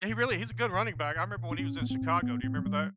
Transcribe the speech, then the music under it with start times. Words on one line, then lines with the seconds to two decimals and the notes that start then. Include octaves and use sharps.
He really he's a good running back. I remember when he was in Chicago. Do you remember that?
0.09 A#2
0.30 A#2
0.51 A#2
0.74 A#2
0.95 A#2
1.16 A#2
1.37 A#2
1.51 D4
1.58 A2 C#4
1.80 A2 B3
1.90 C4
2.01 A2
2.22 A2 B3
2.43 A2 C4
2.56 F#3
2.65 A2 G3